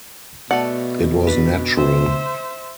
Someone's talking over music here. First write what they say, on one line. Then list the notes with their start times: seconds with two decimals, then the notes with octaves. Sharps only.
It was natural.
0.51 B2 A3 D5 F#5
1.27 D4 B4
1.77 C5 E5